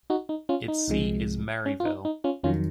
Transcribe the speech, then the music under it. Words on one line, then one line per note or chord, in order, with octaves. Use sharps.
Its seat is Marieville.
D#4 F#4
D#4
C#4 F4
D#4
C2 C3 F3 G#3
C#4
F4
D#4
D#4
C#4 F4
F2 D#3 F#3 C#4 F4